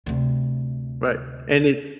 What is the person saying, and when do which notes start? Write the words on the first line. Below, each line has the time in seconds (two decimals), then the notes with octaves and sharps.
Right. And it's
0.06 D2 C3